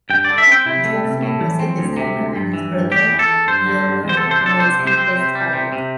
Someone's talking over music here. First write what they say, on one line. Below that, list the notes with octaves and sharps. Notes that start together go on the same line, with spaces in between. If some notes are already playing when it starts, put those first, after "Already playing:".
Geoffrey was the designer and his brother Hereward was the test pilot.
G2 G5
D3 D5
E5
C4 G5
C3 E4
A3
C3
A2
E3
C4
D2
C3
D2
G2
E3
G2
E2 G4
E3
A4
E2
G2 C5
D3
G2
E2
C5
C3 A4
C5
D4 A4
C2 C5
C3
C5
C4
C3
G3
C3
C3